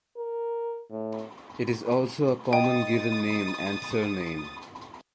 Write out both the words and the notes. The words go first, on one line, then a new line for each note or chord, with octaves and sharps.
It is also a common given name and surname.
A#4
A2
D#5 G5 D#6 A6